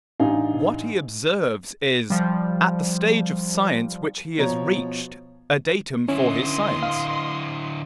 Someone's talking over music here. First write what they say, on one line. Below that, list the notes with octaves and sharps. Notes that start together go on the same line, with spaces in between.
What he observes is, at the stage of science which he has reached, a datum for his science.
A1 D4 D#4 F5 G#5
F3 G3
B2 F3 C#5 A#5
D3 C#4 E4 D#5 C6
F5